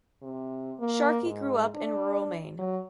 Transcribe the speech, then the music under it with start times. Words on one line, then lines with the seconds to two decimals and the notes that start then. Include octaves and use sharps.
Sharkey grew up in rural Maine.
0.22 C3
0.79 A#3
1.23 G#2
1.75 D4
2.59 F#3